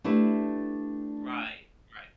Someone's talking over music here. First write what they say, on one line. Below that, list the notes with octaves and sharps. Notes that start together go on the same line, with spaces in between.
Right. Right.
A3 D4 E4 G4 B4